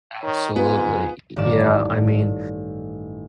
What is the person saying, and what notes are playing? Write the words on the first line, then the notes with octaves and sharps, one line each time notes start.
Absolutely, y yeah, I mean,
D#3 C#5
G#2 B3 F4 G#5
A1 G2 D#3 A3 D5 E7